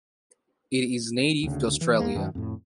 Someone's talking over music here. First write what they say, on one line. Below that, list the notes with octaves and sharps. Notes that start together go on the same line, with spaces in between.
It is native to Australia.
D2 C#3
E3
E2 A#3
F#2 D#3
F2 A2